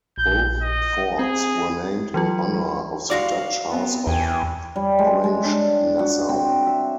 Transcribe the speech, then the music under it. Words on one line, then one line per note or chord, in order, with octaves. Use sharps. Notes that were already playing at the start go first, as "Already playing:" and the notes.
Both forts were named in honor of the Dutch House of Orange-Nassau.
A#1 G6
D#5
C4 G#4
E3 F#3 F4
G#3 F#4 D5 F5
B3 C4
E2 G5 G#5
G3
G#3
G#3
D4
F#4
C4
E5